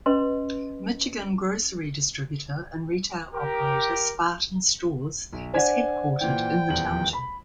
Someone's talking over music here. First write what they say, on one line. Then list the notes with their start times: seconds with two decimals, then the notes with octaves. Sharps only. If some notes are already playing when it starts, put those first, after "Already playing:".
Michigan grocery distributor and retail operator Spartan Stores is headquartered in the township.
0.06 C#4 B4 D#5 C6
3.33 G4 A#4
5.33 B1
5.54 D4 C5 D5 F#5 G#5 G#6
6.21 A#2 E3 G5
6.69 D#1 E2 F#7
7.13 B5